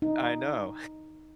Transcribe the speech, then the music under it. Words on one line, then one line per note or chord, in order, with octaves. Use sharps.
I know.
D#4